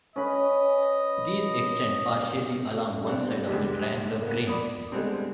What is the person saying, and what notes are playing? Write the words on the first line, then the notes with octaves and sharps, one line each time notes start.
These extend partially along one side of the triangular Green.
C#4 B4 D#5 B5
G3 B3 C4 D4
C#2 G2 G#3 G4
A#3 B3
D5 B5 D#6
D3 G3 G#3 B3 C4